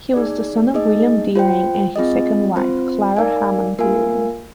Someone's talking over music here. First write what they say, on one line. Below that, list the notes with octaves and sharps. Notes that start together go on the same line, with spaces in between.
He was the son of William Deering and his second wife, Clara Hammond Deering.
D#4 G#4 D5
D#4 G#4 D#5
F4 C5 G5
C4 F4 G#4 D#5
C4 F4 C5
D#4 A#4 D5 F5 G#5
A#3 F4 A#4 F5 G#5